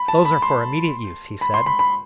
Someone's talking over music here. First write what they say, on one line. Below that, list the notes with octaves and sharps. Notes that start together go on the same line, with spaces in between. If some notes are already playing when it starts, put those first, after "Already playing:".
"Those are for immediate use," he said.
Already playing: B5
A5
B5
C6
B5
C6
B5
B5